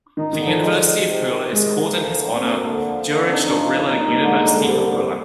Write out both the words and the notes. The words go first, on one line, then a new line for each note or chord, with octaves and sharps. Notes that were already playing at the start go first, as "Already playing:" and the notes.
The University of Pula is called in his honour Juraj Dobrila University of Pula.
D#3 D#4
D#3
D3
F3
G#3
G#3
C3
D#3
C3 G#3
A#3
D2
D3
C4
D2 A#3
D3
F3
D3
C4
D4 D#4
D4
F3
C4
C4 D#4
A#3
D#4
G3
A#3
D3 G#3
A#3
D3 G3
G#3
C2 G3
C2